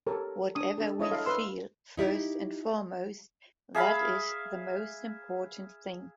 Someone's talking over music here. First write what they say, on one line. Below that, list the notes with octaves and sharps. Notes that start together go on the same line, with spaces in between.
Whatever we feel, first and foremost, that is the most important thing.
G4 A4 A#4 C#5
D4 D#6
D4 A4
E4 C#5 D#5
A4 F5
B4 C6 E6
D#4 E4 G4
G#4 E5 F5 B5